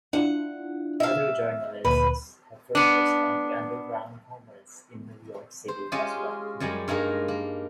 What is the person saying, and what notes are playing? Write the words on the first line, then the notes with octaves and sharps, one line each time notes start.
Other journalists have focused on the underground homeless in New York City as well.
D4 E4 F4 F#5
E5 F5
D2 A#2 B4
B3 D4
C5
G#3 C#4 F4 G4 G#4
F#2 G3 G#3 G#5
G2 G#3 A#3 D#4 A#4
A#3